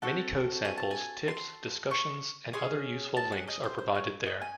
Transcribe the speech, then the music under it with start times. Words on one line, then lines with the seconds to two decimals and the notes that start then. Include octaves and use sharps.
Many code samples, tips, discussions and other useful links are provided there.
0.02 C4 F#4 A4 F#5
0.65 G#5
0.77 A5
0.91 G#5
1.28 C6
1.91 C#6
2.53 C#4 G#4 C6
3.17 A5
3.32 F#5
3.48 D#5
3.64 C5
3.79 C5
3.95 C#5
4.26 D#5
4.42 G#5